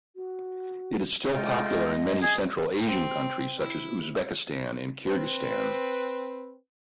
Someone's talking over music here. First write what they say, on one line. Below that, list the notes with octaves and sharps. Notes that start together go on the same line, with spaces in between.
It is still popular in many Central Asian countries such as Uzbekistan and Kyrgyzstan.
F#4
G#3 A3 F4 D#5 G5
G#4 D#5 E5
C4
E4
C4 B4